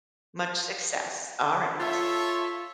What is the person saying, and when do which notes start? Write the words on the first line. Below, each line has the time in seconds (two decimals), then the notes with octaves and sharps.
Much success. All right.
1.80 F4 A4 C#5 E5